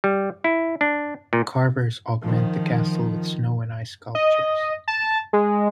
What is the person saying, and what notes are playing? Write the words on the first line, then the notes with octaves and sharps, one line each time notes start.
Carvers augment the castle with snow and ice sculptures.
G3
E4
D4
A#2
D#3 F3
D#5
A5
G#3